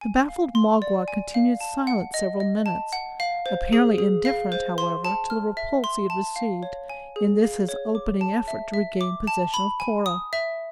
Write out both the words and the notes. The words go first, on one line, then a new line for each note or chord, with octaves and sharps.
The baffled Magua continued silent several minutes, apparently indifferent, however, to the repulse he had received in this his opening effort to regain possession of Cora.
G#5
F5
C6
D5
G#5
F5
A5
F#5
D#5
D#5
A5
F#5
F5
C5
G#4
G#4
F5
C5
C6
A5
F6
E5
C6
A5
F5
C#5
G#5
G#4
F5
C#5
D6
A5
E5
E5
D6
A5
B5
G#5
D#6
E5